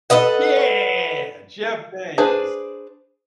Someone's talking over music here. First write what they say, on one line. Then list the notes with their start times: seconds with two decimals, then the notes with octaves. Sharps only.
Yeah! Jeff Daniels.
0.10 A4 B4 D#5 F#5
2.18 D4 G#4 B4 C5